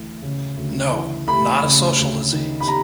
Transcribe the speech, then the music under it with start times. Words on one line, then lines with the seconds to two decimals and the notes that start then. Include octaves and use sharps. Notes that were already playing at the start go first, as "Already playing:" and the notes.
No, not a social disease.
Already playing: D2 E3 A3
0.22 C#3
0.56 D2
0.92 E3
1.28 A3 B5
1.63 C#3
1.98 D2
2.33 D#3
2.60 B5
2.68 A#5